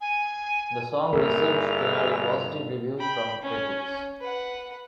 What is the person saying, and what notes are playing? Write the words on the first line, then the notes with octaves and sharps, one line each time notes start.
The song received generally positive reviews from critics.
G#5
G1 G#4 A#4 E5 F7
G5 B5
C#4
B4 F#5